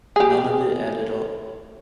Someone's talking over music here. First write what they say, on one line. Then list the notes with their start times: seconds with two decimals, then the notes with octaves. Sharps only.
None of it added up.
0.16 G4 G#4